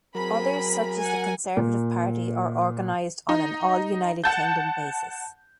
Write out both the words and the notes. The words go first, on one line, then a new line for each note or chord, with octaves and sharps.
Others such as the Conservative Party are organised on an all-United Kingdom basis.
F#3 C4 G#4 A#4 B5
F#5 G#5
A#2
D#4
F#5 A5 G6